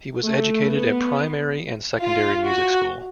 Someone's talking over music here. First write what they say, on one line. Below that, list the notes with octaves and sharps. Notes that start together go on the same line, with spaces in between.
He was educated at Primary and Secondary Music School.
A3
B3
F4
F#4